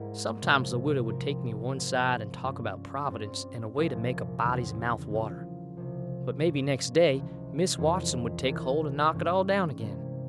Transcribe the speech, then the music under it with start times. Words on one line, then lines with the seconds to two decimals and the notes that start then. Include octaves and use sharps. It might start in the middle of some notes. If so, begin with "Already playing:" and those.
Sometimes the widow would take me one side and talk about Providence in a way to make a body's mouth water; but maybe next day Miss Watson would take hold and knock it all down again.
Already playing: G#2 G3 A#3 E4 A#4
0.41 C2 C3 F3
1.07 F3 C4 G4 A#4
1.75 G#2 F3 C4
2.43 G2 G3 C#4 F4
3.09 G2 G3 C4
3.76 C2 A#2 F3 A#3
4.43 E2 C#3 G3 C4
5.10 C#3 F3 A#3 F4
5.77 C2 C3 F3
6.44 G2 F3 A#3 C#4
7.12 C#2 C3 E3
7.78 F2 E3 A#3
8.45 C2 C3 E3
9.12 G2 E3 G#3 C#4 G4
9.79 C3 G3 A#3 E4